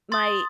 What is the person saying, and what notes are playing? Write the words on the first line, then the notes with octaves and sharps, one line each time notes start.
the My
C6 D#6 A6